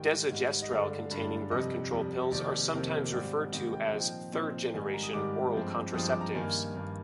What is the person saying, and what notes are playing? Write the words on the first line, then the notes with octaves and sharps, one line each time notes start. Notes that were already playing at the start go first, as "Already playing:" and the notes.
Desogestrel-containing birth control pills are sometimes referred to as "third generation" oral contraceptives.
Already playing: G#2 D#3 G3 G5
G#2 D#3 G3
D#5
G2 D3 G#3 D4 F5
G2 D3 G#3 D4
F2 C3 G3 D#5
F2 C3 G3
F2 C3 D#3 A#3 D5
F2 C3 D#3 A#3 C5
G#2 D#3 G3 C4 D5
G#2 D#3 G3 C4 D#5
G5
F5
A#2 F3 C4 D#4
G5
A#2 F3 C4 D#4
G#2 D#3 G3 G#5
A#5
D#6
G#2 D#3 G3 D6
G2 F3 G#3 C4
G2 F3 G#3 C4 D#6
D6
A#5
G2 D#3 A#3 G#5
G2 D#3 A#3